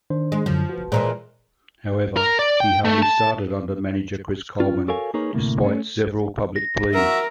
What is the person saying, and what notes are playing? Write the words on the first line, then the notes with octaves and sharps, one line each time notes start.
However, he hardly started under manager Chris Coleman, despite several public pleas.
D#3 D4 C5
G#3
F#2 D3 F3 F#3
F#4 B4
A#2 E3 G#3 G#4 C5 A#5
A#4
D5
G5
A3
A5
C#4 F4
F#4 A4 A#4 C#5 F5 G#5
A#3 D#4 G#4 A#4 B4 C#5
D2 A2 C3 A#3
A3 C#4
A#6
F#4 A#4 E5